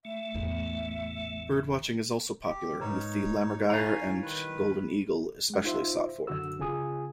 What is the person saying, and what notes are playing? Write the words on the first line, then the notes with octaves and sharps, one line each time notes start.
Birdwatching is also popular, with the lammergeier and golden eagle especially sought for.
A3 E5
A1 E2
G4
C2 G#2 D#4 B4 C#5 A#5
G3 D#4 E4 C#5 F5 G#5 A#5
D#3 B4
G#3 F#5
D#4 F4 C5 E5
F#2 D3 F#4 E6
C#3 F4 G#4 G#5 D#6